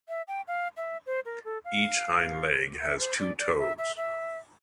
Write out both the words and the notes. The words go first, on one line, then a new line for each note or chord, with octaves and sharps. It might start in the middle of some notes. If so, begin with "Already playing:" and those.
Each hind leg has two toes.
E5
G5
F5
E5
C5
A#4
A4
F5
E5
C5
D5
D5
E5
E5
E5